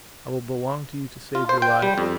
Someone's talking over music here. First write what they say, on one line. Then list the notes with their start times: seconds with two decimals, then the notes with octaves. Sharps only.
I will belong to you to save your life.
1.35 F4
1.49 C5
1.62 G5
1.82 G3
1.98 F2